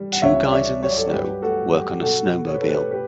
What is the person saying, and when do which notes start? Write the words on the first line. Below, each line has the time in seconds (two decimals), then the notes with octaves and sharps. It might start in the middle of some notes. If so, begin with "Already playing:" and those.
Two guys in the snow work on a snowmobile.
Already playing: G3
0.12 F#5
0.22 C#2 C#5 E5
0.45 D5
0.52 C#4 C#5 E5
0.82 F#3 C#5
0.89 D5
0.97 A4 C#5
1.07 C#5
1.12 G2 G4 B4
1.42 A3 F#4 A4
1.72 F#3 G4
2.02 B2 F#4 A4
2.32 B2
2.47 C#5
2.54 B4
2.61 A3 A4
2.68 G4 B4
2.91 G4 B4